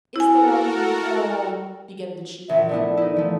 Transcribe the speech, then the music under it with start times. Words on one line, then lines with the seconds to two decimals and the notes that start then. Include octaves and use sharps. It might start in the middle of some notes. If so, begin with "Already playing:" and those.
"Is there any--er--?" began the Chief.
0.16 E4 F#4 A4 A#4 G#5
2.49 A#1 E5
2.69 A3 B3 E4 D5
2.97 D#4 E4
3.17 F3 A3